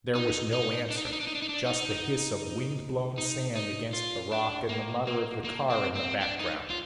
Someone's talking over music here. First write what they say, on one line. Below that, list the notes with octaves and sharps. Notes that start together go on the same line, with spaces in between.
There was no answer--just the hiss of wind-blown sand against the rock and the mutter of the car in the background.
D#4
D#4
D4
D#4
D4
D#4
D4
D#4
D4
D#4
D4
D#4
D#4
D#4
F4
D4
A#3
A#3
A#3
C4
C4
D4
D#4
F4